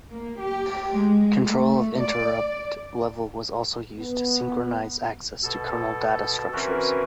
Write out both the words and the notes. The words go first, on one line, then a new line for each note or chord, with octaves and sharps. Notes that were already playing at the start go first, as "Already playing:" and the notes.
Control of interrupt level was also used to synchronize access to kernel data structures.
A#3
G4
G#3
A3
D5
B3
B2 A4
E3 C4 C#4 F#4 A#4 B4